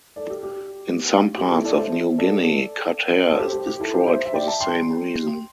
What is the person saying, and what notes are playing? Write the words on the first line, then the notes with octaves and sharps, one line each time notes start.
In some parts of New Guinea cut hair is destroyed for the same reason.
A4 D5
G4
G4
G4
E4 A4
A4 D5
C5 E5
A4 D5
A4
G4 C5
G4
G4
E4 A4
G4 C5
C5 E5
E5
D5 G5
E5 A5
G5 C6